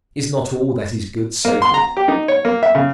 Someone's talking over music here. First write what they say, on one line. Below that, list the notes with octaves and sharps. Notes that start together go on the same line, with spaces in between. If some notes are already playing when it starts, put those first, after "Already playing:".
Is not all that is good sacred?
A#3
C6
A#5
G4
D#4
C#5
A#3
E5
C#3